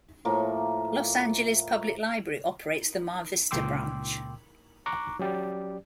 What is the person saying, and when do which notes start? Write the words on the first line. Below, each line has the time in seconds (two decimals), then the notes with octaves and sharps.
Los Angeles Public Library operates the Mar Vista Branch.
0.25 A2 F3 A#3
3.51 C#2 A#2 G5 C6 D6 E6
4.86 A#5 C#6 D6 F#6
5.19 F#3 C#4 G4 D5